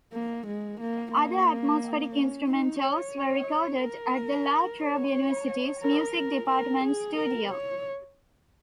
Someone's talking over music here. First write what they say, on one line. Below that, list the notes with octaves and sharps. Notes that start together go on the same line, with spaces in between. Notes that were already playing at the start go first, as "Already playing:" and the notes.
Other atmospheric instrumentals were recorded at the LaTrobe University's music department's studio.
A#3
G#3
A#3
A#3
C#4
D#4
C#5
A#4
C#5
A#4
A#4
A#4
G#4
A#4
C#5